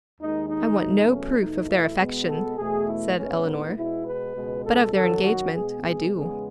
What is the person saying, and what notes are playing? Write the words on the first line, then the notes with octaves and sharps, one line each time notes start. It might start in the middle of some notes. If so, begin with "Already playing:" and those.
"I want no proof of their affection," said Elinor; "but of their engagement I do."
D#2 D#3 G#3 D#4
D#4
E2 B2 F#3 A3
C#4
E2 B2 A3 D#4
E4
B2 G#3 B3
A4
E2 B2 A3 G#4
E4
A2 G#3 B3 C#4
D#4
B2 G#3 B3 E4
B4
C#2 B2 G#3
A4
F#2 D#3 F#3 A4
F#4
B2 G#3 B3 G#4
G#4
E2 C#3 G#3 B3 G#4